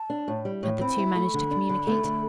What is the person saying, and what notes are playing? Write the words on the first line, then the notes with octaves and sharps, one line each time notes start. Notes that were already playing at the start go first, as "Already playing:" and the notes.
Had the two managed to communicate?
Already playing: A5
D4
A2
G3
A2
C4 B5
E4
A3
D3
D4
D3
A3
D3